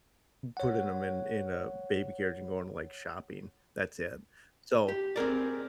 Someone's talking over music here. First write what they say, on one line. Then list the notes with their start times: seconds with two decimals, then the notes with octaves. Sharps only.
putting ‘em in in a baby carriage and going to, like, shopping. That's it. So,
0.57 C#5 F#5
4.88 G4
5.16 C4 G#4 A#4 D5